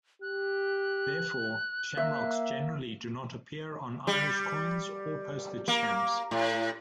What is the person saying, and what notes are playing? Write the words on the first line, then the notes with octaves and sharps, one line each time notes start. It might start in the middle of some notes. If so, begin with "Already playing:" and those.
Therefore, shamrocks generally do not appear on Irish coins or postage stamps.
G4 F#6
A#3 E5
G3
A#3
A2